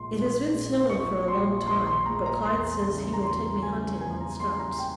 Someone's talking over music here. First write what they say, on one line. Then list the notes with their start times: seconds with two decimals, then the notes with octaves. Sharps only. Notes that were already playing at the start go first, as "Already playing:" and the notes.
It has been snowing for a long time, but Clyde says he will take me hunting when it stops.
Already playing: A#1 A#2 G#3 C6
0.12 A#1
0.51 A#2 G#3
0.90 A#1 C#6
1.28 A#2 G#3 C6
1.67 A#1 C6
1.87 C6
2.06 A#2 G#3 A#5
2.26 A#5
2.45 E2 C6
2.84 C#3 E3 G3
3.13 A#5
3.23 E2 C6
3.62 C#3 E3 G3 G#5
4.01 E2 G#5
4.20 A#5
4.40 C#3 E3 G3 C6
4.59 A#5
4.78 G5